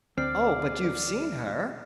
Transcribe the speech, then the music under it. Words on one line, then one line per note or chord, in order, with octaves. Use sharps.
"Oh, but you've seen her."
D2 C4 D5 F6 C7